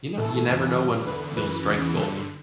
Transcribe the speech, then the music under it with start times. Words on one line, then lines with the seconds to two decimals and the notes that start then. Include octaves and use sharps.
you kno you never know when r you'll strike gold.
0.18 A2 E3 A4
0.48 F#2 C#3 E3
0.77 G2 E3
1.06 E2 D3 B4
1.36 F#2 E3 B4
1.65 E2 C#3 E3
1.94 G2 D3 A4